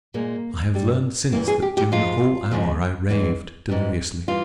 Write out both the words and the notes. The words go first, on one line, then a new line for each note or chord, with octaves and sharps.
I have learned since that during a whole hour I raved deliriously.
A#2 G#3 A#3
G2 G3
E2 C3 E3 A#3
G#4
G4
G4
G#2 F3 G#3 F4
F2 C#3 F3 G#3
E2 E3 G#3
G#2 E3 G3
E3 G3 F4